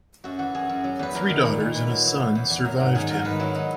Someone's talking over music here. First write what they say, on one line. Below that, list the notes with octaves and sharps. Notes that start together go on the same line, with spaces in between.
Three daughters and a son survived him.
F#2 F#4
E3 F#4
F#2 G#4
F#2
F#3
E2 B4
E2 A#4
D#3
A#2
A#2
A#2 B4
F#3
E3
E2
E2
E2
F#3 A#4
G#2
D#3 G#4
G#2 A#4
D#3 B4
F#3 E4
D#4